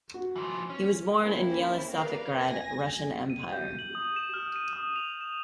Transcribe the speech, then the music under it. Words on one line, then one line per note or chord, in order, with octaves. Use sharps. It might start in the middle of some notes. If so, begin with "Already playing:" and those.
He was born in Yelisavetgrad, Russian Empire.
F#4
E3 F3
C#4
A#3 C4 C#4 E4 A#4
A#4 B4 D5 F5
G#5 A#6
D#7
G6
F#7
D#6
E7
F6
D#7
D#6
F7
E7